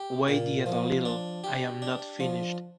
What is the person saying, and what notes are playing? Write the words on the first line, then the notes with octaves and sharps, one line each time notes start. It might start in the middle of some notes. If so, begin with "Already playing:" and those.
Wait yet a little. I am not finished.
Already playing: G4
A#2
F3
D4
G4
D4
F3